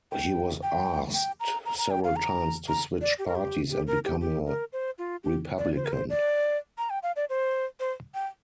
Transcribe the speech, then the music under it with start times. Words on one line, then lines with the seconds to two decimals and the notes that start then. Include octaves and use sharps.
He was asked several times to switch parties and become a Republican.
0.12 G5
0.63 G5
1.14 G5
1.40 A#5
1.65 A#5
1.78 A#5
1.91 G5
2.04 F5
2.16 A#5
2.68 A#5
3.01 D5
3.19 G4
3.27 A#4
3.35 G4
3.70 G4
3.87 A#4
4.04 G4
4.21 G4
4.47 A#4
4.73 C5
4.98 F4
5.24 G4
5.58 D5
5.76 C5
5.85 A#4
5.92 C5
6.10 D5
6.78 A#5
6.90 G5
7.03 F5
7.16 D5
7.30 C5
7.80 C5
8.14 G5